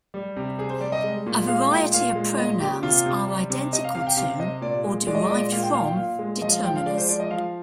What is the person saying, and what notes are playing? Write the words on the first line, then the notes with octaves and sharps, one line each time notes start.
A variety of pronouns are identical to or derived from determiners.
G3
C3
C3 G#4
C5
G3 D5
D#5
G#3
A#2
G#3 F5
A#2 G5
A#2 F5
G#3
A#2 D#5
A#2 G4
C3 F4
C3
G3
C3
C3 D#5
F5
C3 F5
G5
C3 F5
C3 D#5
A#2 D5
G#3
G#3 D5
D#5
D5
A#2 D#5
D5
A#2 F5
G5
A#2 F5
G5
A#2 F5
G#3
F3 D#5
F5
F3 G5
F5
G#3 D5
C5
F3 D5
D#5
F3 F5